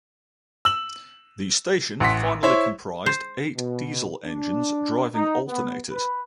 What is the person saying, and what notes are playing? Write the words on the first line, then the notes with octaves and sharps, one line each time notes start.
The station finally comprised eight diesel engines driving alternators.
E6 F#7
A1 F#5 C6 B6
E4 C5 C#5
C5
B2
D4
D#4
B3
B4